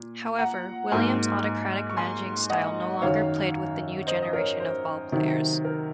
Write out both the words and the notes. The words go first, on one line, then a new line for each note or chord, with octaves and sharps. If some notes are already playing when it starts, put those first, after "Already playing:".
However, Williams' autocratic managing style no longer played with the new generation of ballplayers.
Already playing: A#2
F#5 A#5
G#2 F#3 A#3 G#5 C6
C#6
G#5 C6
D#5 F#5
F#2 D#3 F#3 C#5 F5
C5 D#5
D#5
A#4 C#5
C5
C3 D#3 F#3
A#4